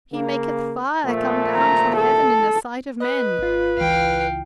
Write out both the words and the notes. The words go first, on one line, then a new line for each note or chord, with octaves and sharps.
He maketh fire come down from heaven in the sight of men!
C#3 A#3
A#2 F3 A3
A#5
A4
B4 D#5
G#1 F4
C#2 E3 F5 G5